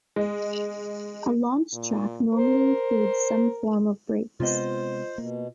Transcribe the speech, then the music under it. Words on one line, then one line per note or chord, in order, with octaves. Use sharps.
A launch track normally includes some form of brakes.
G#3
A#2
A#4 C5
C3 G#3 B3 F4 C5 D#5
B2 A#3